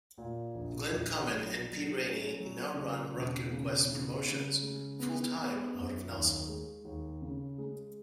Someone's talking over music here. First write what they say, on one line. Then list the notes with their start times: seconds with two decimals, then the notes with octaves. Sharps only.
Glenn Common and Pete Rainey now run Rockquest Promotions full-time out of Nelson.
0.18 A#2
0.55 A#1
0.92 A#1
1.28 F#3
1.66 F#3
2.03 C#4
2.40 F#3
2.77 C#3
3.14 E1
3.51 C#3
3.88 C#3
4.25 C#3
4.62 G#3
4.99 B3
5.36 B3
5.74 F#2
6.11 D#2
6.48 G#3
6.85 D#2
7.22 C#3
7.58 G#3